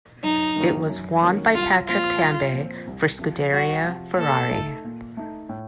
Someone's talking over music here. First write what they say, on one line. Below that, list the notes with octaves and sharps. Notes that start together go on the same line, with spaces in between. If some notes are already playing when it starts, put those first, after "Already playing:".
It was won by Patrick Tambay for Scuderia Ferrari.
F#2 D#4
D#3 F#3 A#3 C#4
F#2
D#3 F#3 A#3 C#4
C2 F4
A#2 F3 C4 F4
C2
A#2 F3 C4
C2
C3 F3
C2 F#4
C3 F3
A#2 A4
A3 D#4
A#2
A3 D#4
A2